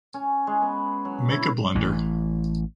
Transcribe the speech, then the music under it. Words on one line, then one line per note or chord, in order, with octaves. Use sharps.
Make a blunder.
C#4
G#3
B3
F#3
E4
A1 E3